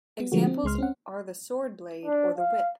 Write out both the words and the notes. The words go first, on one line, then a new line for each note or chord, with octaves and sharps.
Examples are the swordblade or the whip.
B3
D3 F3 G#3 A3 F#4
C4
C#2 G#3 C6 F6
C4 C#4 F#5
D4
F5